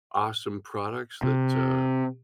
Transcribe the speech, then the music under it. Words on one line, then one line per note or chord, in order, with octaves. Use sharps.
awesome products that, uh,
C3